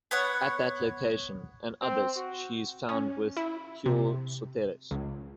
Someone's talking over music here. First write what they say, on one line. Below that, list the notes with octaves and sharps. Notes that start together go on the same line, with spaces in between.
At that location and others she is found with "theoi soteres".
B3 C#5 F#5
C4
F#4
C#4
E4
C3
C#2